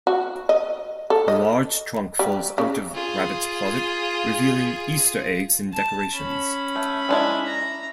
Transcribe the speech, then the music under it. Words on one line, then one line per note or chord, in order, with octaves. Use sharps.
A large trunk falls out of Rabbit's closet, revealing Easter eggs and decorations.
F#4
D#5
A4
D#5
G3
C#3
F4 G#4
A5
C#4 B5
A3
G#3 D4 E4
A#5